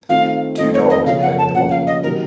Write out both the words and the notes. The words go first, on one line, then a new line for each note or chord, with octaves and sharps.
Two dogs play with a bottle.
D#3 A3 C4 F4 F5
D#3 A3 C4 F4 D#5
C#5
D#5
C#3 F3 A#3 C#4 F5
F#5
A5
C#3 F3 A#3 C#4 F#5
F5
D#5
C3 D#3 F#3 A#3 A#4